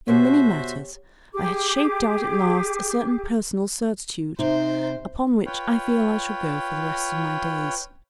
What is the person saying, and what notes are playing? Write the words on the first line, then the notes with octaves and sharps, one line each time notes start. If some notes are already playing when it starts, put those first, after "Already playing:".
In many matters I had shaped out at last a certain personal certitude, upon which I feel I shall go for the rest of my days.
B2 F#4 G4 C5 C#5 E5
G4 G#4 D6
C3 D#4 C5
F4 B4 C#5 G5